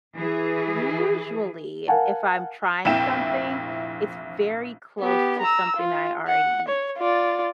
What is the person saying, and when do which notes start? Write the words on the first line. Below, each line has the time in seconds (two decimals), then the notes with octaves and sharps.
Usually, if I'm trying something, it's very close to something that I already eat.
0.15 E3 G#4
1.88 A#4 F5 F#5 G#5 A5
2.85 F1 A#1 E4 E5 G5 E7
5.01 B3 G4
5.41 A#5 E6
5.76 F4
6.27 F#5
6.68 C#5
6.98 F4 D5